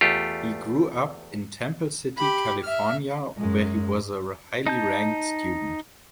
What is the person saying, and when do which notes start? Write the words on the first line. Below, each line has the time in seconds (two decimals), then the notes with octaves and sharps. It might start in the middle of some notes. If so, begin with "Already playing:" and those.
He grew up in Temple City, California, where he was a highly ranked student.
0.01 E2 A3 F4 G4
2.18 G4 B5
2.63 E5 F6
3.38 F#2 G#3
4.67 D#4 A5 G6